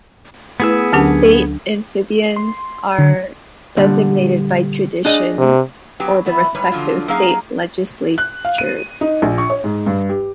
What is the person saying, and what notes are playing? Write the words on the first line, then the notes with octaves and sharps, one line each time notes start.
State amphibians are designated by tradition or the respective state legislatures.
A3 B3 E4 G#4 B4 E6
D2 D3 F#3 C#4 D4 G4
C6
D3
A#2 D3 G3
D4 G#4 D#5
C3
F#3 B3 G4
E2 E3 B3
G#2 G3 B4 C#5
D3 F3 F#3 F4
F#3 A#3 C#4 D#4 G#4 F5
F#6
F5
D#7
D#4
A#1
C#6
C#5
G#2
G2
G4